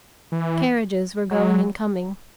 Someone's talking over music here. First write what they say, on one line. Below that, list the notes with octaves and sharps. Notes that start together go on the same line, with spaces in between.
Carriages were going and coming.
E3
F#3